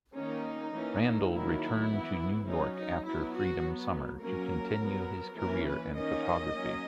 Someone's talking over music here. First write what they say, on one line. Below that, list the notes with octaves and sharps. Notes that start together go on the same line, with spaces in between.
Randall returned to New York after Freedom Summer, to continue his career in photography.
D#3 A#3 C#4 D#4
E3 A#3 C#4
D#3 F#3 A#3 E4
E3 B3
F#3 C#4 D#4
D#4
F#3 B3 E4
F#4
F#3 B3
F#3 A#3 C#4 A#4
F#3 B3
E3 A#3 C#4 A#4
B4
D#3 A#3 C#4 D#5
F#3 A#3 C#4